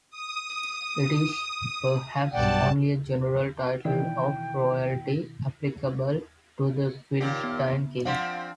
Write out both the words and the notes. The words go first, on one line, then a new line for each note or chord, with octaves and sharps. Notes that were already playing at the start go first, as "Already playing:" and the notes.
It is perhaps only a general title of royalty, applicable to the Philistine kings.
D#6
B1 G2 D5 F#5 G5 A5
B2 D#3 E3 E4 G5
D#2 A#2 G4
B3
F3 C4 D4 F5 F#5 C6